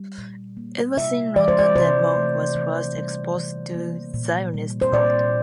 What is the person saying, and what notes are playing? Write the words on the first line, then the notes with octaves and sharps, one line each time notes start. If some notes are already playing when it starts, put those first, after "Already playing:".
It was in London that Monk was first exposed to Zionist thought.
Already playing: G3
A#2
A#3
C3 E5
E3 D5
C5
D5
C3 C5
A3
E3
G3
E3
A#3
A#2
G3
C5
A#2 D5